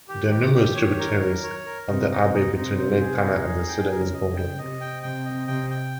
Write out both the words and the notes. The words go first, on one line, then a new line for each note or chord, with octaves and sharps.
There are numerous tributaries of the Abay between Lake Tana and the Sudanese border.
D#3 G4
G4
G4
C#5
A#4
A#4
C#5
A#4
C3 D#4
D#4
C3
D#4
C3
D#4
C5
G#4
D#4
G#4
G5
A#4
C#3
D#5
C#3
G5
C3 D#5
G5
C3 G5
D#5
C3 G5
G5